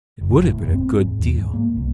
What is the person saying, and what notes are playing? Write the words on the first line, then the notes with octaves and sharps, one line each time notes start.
It would have been a good deal.
F#1
F#1
A2
F1
C4
G#2
D#2
G#2
A#3
C2